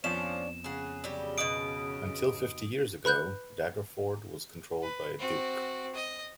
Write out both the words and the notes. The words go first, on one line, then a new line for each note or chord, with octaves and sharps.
Until fifty years ago, Daggerford was controlled by a Duke.
G#1 F2 F3 B3 C#4 D4 F5 E7
C#3 G#4 F#5
F#3 G3 G4
B2 D#4 F#5 D#6 D7
B4 B5 F#6 G6
B4
C4 F#4
D#5